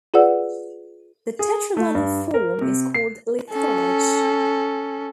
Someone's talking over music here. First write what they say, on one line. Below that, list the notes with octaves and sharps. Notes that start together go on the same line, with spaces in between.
The tetragonal form is called litharge.
F4 G#4 B4 D5 F#5 E6
G#4
A3
G2
A#4
C3
C7
C#4 A4